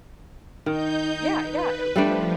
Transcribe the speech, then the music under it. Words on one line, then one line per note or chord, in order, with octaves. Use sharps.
Yeah, yeah, it will.
D#3 D#4 G6
B4
F3 G3 A3 D4